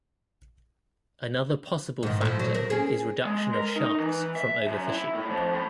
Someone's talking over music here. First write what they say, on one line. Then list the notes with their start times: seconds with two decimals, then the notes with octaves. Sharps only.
Another possible factor is reduction of sharks from overfishing.
2.03 G#2 D#3
2.21 A2 F3
2.40 F#3
2.55 A#4
2.70 C#4 G#4
3.25 G#3
3.54 A#4
3.76 D#4
4.00 E3
4.36 E5
4.68 F#2
4.88 E4
5.15 A2
5.30 F2
5.53 A2